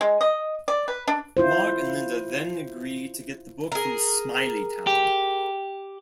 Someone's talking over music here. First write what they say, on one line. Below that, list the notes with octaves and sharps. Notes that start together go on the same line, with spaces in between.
Mark and Linda then agree to get the book from Smiley Town.
G#3
D#5
D5
B4
D4
E4 F4 C5
G#4 A#4
G4